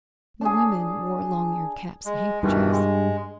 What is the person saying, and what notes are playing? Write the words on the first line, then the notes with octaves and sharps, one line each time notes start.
The women wore long-eared caps and handkerchiefs.
D4 G#4
G#3
G2 B2 D#3 E3
G#3